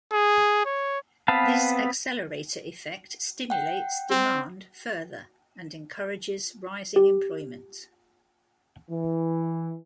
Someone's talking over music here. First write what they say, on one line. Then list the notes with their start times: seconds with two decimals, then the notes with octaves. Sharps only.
This accelerator effect stimulates demand further and encourages rising employment.
0.13 G#4
0.65 C#5
1.28 B3 C4 B4 F5 A5
3.50 F#5 G5
4.11 C4
6.96 G4
8.90 E3